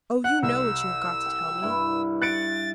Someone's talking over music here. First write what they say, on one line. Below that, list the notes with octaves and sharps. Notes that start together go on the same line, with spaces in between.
Oh, you know what you have got to tell me!
F#5 F#6
C2 E6
G5
G2 E4
F#6 A6 C#7 D7